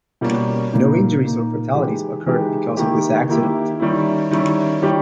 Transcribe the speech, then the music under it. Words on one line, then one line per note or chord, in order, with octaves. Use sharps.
No injuries or fatalities occurred because of this accident.
B2 G3 A#3 C#4
A#2 A#3 D#4
A#2 A#3 D#4
E3 G#3 D#4 G4
E3 G#3 D#4 G4
D#3 A#3 E4 G4
D#3 A#3 E4 G4
D#3 G3 C#4 E4
D#3 G3 C#4 E4
D#3 G3 C#4 G4